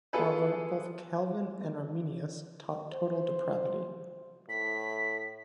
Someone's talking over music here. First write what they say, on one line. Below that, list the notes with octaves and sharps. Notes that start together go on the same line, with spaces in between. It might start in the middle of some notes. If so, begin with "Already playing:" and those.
However, both Calvin and Arminius taught total depravity.
B3 F4 G#4 A4 B4
C5
A2 B6